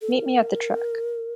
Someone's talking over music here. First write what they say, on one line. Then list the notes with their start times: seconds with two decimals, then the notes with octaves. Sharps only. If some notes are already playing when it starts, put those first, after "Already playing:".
Meet me at the truck.
0.02 A4
0.12 A#4